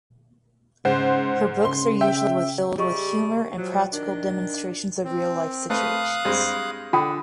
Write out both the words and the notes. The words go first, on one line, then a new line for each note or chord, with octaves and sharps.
Her books are usually filled with humour and practical demonstrations of real life situations.
G#2 C#3 C5 F#5
C#3 C6
E5 G5
G3 G4 G#4 D#5 C#6
F3 F#3
D#3 D4
C4
A3 C4 B4 F5 D#6 F#6
G2 G#3 C4
D3 F4 G5 D#6